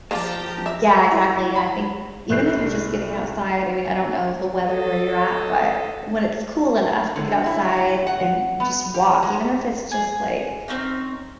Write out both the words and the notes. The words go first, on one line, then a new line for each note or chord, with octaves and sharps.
Y yeah, exactly. I think even if you're just getting outside, I mean, I don't know the weather where you're at, but when it's cool enough to get outside and just walk, even if it's just, like,
F3 A#3 D4 F4 G4 A5 A#5
E5
E4
B5
C2 A3 F#6 G6 C7
A4 D#5
D3
E4
G4
F#5
B3
G4
G#3
G#4
C4 C#4 D#4